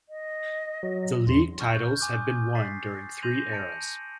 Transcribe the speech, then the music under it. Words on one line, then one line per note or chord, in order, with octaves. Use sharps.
The league titles have been won during three eras.
D#5
F#3
E2 C6
C6 C#6 F6 G6
G#5 C6 D6 D#6 F#6 G6
A6 B6 C7
C6 G6 A#6 D#7 F7 F#7
A5 C#7 D7